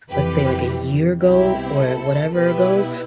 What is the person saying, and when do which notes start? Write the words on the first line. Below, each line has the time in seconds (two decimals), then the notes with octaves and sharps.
let's say, like, a year ago or whatever ago,
0.10 F2 C3 E3 G3 G4 B4
1.22 C2 B2 G3 C4 E4 G4
1.78 A4
2.34 B2 B3 E4 G4 B4